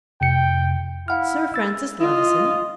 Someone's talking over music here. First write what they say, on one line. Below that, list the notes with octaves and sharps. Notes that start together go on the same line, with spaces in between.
Sir Francis Levison?
F2 C3 G5 C#7
E4 F5 F#5 F6
E6 A6
F4 D#5